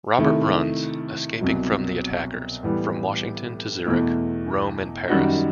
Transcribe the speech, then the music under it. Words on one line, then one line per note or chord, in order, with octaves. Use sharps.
Robert runs, escaping from the attackers, from Washington to Zurich, Rome and Paris.
C3 D#3 A3 E4
C2 B2 F#3
A2 E3 G3 B3
E2 B2 A3 E4
F#2 D#3 G3 D#4 F#4